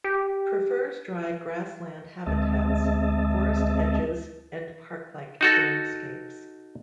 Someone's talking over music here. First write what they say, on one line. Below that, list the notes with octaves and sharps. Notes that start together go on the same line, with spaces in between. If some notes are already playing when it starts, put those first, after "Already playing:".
Prefers dry grassland habitats, forest edges, and park-like landscapes.
G4
D2 G#3 C4 D#5 E5 A5
D#4 F#4 A4